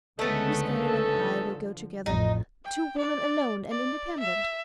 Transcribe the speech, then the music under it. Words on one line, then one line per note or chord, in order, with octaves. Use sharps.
Miss Grayle and I will go together--two women alone and independent.
C#2 D3 G#3 A3 B3 C#4 D#4 A4
D3 F3
A1 F2 A2 D#4
G5
D5
D5
E5